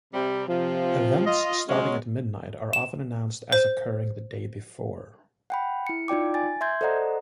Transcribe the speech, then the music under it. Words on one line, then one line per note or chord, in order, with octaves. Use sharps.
Events starting at midnight are often announced as occurring the day before.
C3 G3
C3 F3
F4 D#5
F#3 G#3 C#4
E7
C5
F#5 G5 B5
E4 C#7
D#4 F4 D5 G5 D6
G#5 A6
E5 C6 G6 G#6
A4 C5 D5 D#5 F#5 A#5